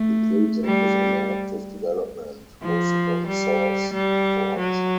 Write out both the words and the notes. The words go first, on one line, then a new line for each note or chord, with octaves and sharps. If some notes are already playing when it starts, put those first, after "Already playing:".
The project is under active development, hosted on SourceForge.
Already playing: A3
G3
F3
G3
G3
F#3